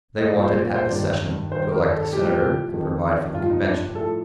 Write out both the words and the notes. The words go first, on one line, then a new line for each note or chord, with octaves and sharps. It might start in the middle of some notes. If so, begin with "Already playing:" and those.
They wanted at this session to elect a senator and provide for the convention.
D#5
A#2 F3 D5
C5
D5
C5
G2 D#3 D5
G2 D#3 C5
A#4
A4
A2 F3 G4
F2 D#3
G2 F3 F4
D#4
D4
A2 F3 A4